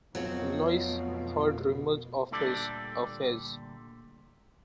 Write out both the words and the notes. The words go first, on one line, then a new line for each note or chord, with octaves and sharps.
Louise heard rumors of his affairs.
F2 B2 F#3 A3 C4 F4 F#4
D2 A#2 D3 G3 A4 D5